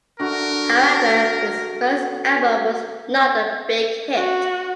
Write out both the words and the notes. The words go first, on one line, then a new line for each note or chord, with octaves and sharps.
However, his first album was not a big hit.
D3 F#4 A#4
F#4